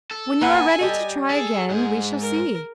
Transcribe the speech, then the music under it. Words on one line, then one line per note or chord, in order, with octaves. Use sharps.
"When you are ready to try again, we shall see."
A4
A#3 B4 F#5 G#5
G3 G4 D#5
G#4 A4 G#5
G#2 G#4
A#4